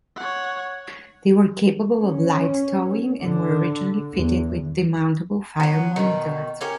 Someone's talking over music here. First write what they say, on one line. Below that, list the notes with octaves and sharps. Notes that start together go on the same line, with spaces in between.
They were capable of light towing, and were originally fitted with demountable fire monitors.
C#5 F#5
C#4
D3
E2
F#3 B3
B2 D#3
C#4 G4 A#4